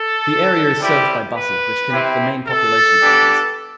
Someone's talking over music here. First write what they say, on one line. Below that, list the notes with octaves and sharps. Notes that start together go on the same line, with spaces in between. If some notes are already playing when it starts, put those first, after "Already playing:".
The area is served by buses which connect the main population centres.
Already playing: A4
G3 C4 E4 G4
B4
C4 E4 G4
A4
B3 D4 G4